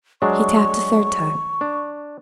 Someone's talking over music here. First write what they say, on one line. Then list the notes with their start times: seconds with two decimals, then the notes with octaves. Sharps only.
He tapped a third time.
0.22 F#3 G#3 D4 C#6
1.61 D4